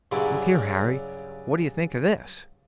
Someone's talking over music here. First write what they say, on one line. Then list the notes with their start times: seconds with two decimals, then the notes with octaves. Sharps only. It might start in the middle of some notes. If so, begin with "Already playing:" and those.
"Look here, Harry; what d'ye think of this?"
0.12 G2 C#3 F#3 G3 E4